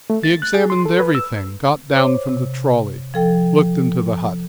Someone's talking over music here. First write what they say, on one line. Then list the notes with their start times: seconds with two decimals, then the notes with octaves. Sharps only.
He examined everything, got down from the trolley, looked into the hut.
0.10 A3
0.23 A6
0.42 F#6
0.54 G#4
0.70 C6
0.86 A4
1.00 B4
1.15 E6
1.93 C5 C#5 D6
2.29 C3
3.14 F3 A4 G5